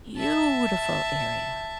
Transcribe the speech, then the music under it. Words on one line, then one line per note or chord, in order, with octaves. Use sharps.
Beautiful area.
E5 A5